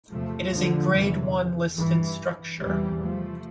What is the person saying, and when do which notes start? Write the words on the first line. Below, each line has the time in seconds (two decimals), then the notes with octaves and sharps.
It is a grade one listed structure.
0.12 E2 C3 F3 A3
0.53 D3 F3
0.95 E2 C3 E3
1.78 G2 E3
2.60 E2 C3 E3 G3
3.02 F3 A3